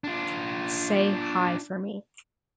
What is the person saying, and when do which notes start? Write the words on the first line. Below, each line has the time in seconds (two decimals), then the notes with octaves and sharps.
Say hi for me.
0.04 D4 F4